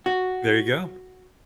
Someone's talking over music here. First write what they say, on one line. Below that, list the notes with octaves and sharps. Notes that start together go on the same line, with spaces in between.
There you go,
F#4